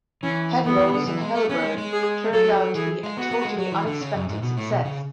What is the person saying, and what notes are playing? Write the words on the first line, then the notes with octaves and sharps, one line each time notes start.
Hederos and Hellberg turned out to be a totally unexpected success.
E3 C#4
E3 B3
E3
D3
E3
G#3
A3
B3 C#4
G#3
G#3
G#4
F#3 A4
E3 G#4
G#3
B3 F#4
B3
G#3
F#3
E3
D3
C#3
F#2
G#2
B2
A2
B2
C#3